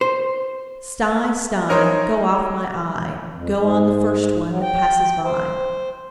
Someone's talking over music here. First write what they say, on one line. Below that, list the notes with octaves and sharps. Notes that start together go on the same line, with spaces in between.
Sty, sty, go off my eye, Go on the first one that passes by.
C5
C#4 D#4 A#4 C5 C#5 D#5
F2
G#2
F#3
G5
C5